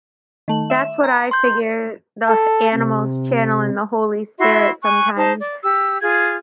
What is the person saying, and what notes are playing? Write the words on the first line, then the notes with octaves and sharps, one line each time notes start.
That's what I figure, the animals channeling the Holy Spirit sometimes.
D#3 A3 F#7
E5
A#5
C6 G6
A4
C3
E4 F#4 E5 C6
G#5 C#6 F#6
D#4 C5 A5
D5
G4 E6
F4 G#4 G#6